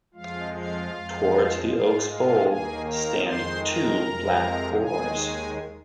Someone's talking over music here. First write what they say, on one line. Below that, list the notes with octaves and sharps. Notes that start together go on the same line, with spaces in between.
Towards the oak's bole stand two black boars.
F2 F3 G#3 F4 F5
F4 F5
F2 F3 G#3
G#2 G#3 F4 F5
F4 F5
D#2 D#3 A#3 G#4 G#5
A#4 A#5
F2 D#3 G#3 C5 C6
A#4 A#5
F2 C3 F3 G#3
D#2 D#3 G#3 G#4 G#5